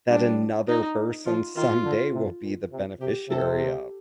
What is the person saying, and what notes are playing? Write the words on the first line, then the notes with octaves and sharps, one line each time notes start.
that another person someday will be the beneficiary of,
G3 D4
D#4
F3 F4
D#3 F4
D3
C3
A#2
C3
C3 G4
C3 A4
G4